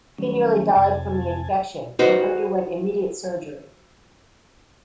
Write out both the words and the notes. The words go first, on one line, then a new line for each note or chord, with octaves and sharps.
He nearly died from the infection, and underwent immediate surgery.
D#3 F#3 G3 A3 C#4
F2 C3 G#5 A5
D#4 F#4 B4 C5